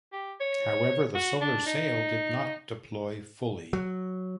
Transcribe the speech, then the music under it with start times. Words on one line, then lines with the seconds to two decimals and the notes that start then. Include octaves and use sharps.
However the solar sail did not deploy fully.
0.12 G4
0.40 C#5
1.15 F#4
1.41 D4
1.66 D#4
3.73 F#3